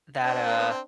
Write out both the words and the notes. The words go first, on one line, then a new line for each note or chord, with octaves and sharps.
that, uh
C4 D4
A#3
B3
C4